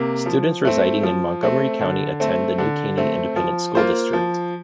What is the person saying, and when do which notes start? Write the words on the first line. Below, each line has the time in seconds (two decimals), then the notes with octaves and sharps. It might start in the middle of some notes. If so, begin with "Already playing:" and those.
Students residing in Montgomery County attend the New Caney Independent School District.
Already playing: C3 A#3
0.26 F3
0.65 A3 C4
1.03 F3
1.43 A3 C4
1.81 D3
2.20 A3 C4
2.58 D3
2.97 A3 C4
3.36 F3
3.75 A#3 F4 C5
4.13 F3